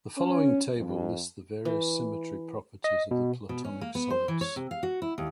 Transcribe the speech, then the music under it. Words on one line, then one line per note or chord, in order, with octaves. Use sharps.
The following table lists the various symmetry properties of the Platonic solids.
C#4
F2
E3
D#5
B2
B2
C#4
A#3
B3
C5
E3
C#5
C3
F5
F#4
E4
D#2